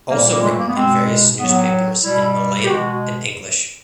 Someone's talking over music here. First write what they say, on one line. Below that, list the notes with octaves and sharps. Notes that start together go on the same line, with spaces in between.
Also written in various newspapers in Malayalam and English.
A#2 G3 A#3
A#3
G#3
A3
A#3
B3
B2 G#3 C4
A2 F#3 B3
B2 G3 E4
G4
B2 G#3 F#4